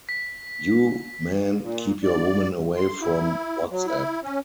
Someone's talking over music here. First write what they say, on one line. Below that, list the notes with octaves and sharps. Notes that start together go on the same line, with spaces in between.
You, men, keep your women away from WhatsApp.
B6
A#2
D5
C6
E4
F#3
E4
C#4